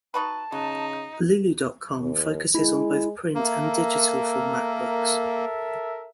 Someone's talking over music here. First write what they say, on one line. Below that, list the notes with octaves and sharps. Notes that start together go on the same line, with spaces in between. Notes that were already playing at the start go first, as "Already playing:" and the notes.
Lulu dot com focuses on both print and digital format books.
D#4 F#4 B4 A5
C#3 F#3 D#4
D#2
G#3 E4
A#3 A4 A#4 E5